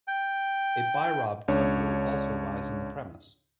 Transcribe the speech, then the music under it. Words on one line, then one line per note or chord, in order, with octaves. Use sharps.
A Bhairab temple also lies in the premise.
G5
C#2 D4 C#5